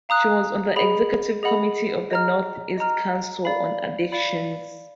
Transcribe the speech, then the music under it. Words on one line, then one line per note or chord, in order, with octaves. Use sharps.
She was on the executive committee of the North East Council on Addictions.
F5 A#5 D#6 F#6
G#4 D#5 F#5 B5
G#4 D#5 F#5 B5
D#5 A#5 F6
D#5 A#5 F6
D5 F5 B5
D5 F5 B5